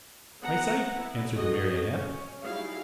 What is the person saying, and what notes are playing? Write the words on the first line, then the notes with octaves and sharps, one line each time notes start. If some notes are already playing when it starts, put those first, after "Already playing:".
"By sight!" answered the Marionette.
B3 F#5 A#5
B3 E4
F#4 G#4 A4 D#5
C#4
F#3 G3 D#4 E4 G#4 F5